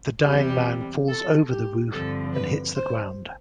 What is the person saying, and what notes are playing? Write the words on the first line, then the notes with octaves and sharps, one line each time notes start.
The dying man falls over the roof and hits the ground.
E2 C3 G3 G4
A4
G4
G2 D3 F3 C4 A4
B4
C5